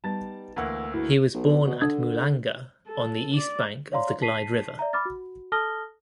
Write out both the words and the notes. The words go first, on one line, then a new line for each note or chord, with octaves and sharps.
He was born at Mulanga, on the east bank of the Glyde River.
G3 B3 D#4 A5 A6
D2 E3 A#3 F#5 E6
D3 E4 F#4 B4
B1
B2
D3 D4 D#6 G#6
A4
D5
C#5 D5 F5 A#5 C6
A5 B6 C7 D#7
D5 E5 A#5
B5 D6 F6 A6
F#4
A4 A5 D#6 F6 A#6 G7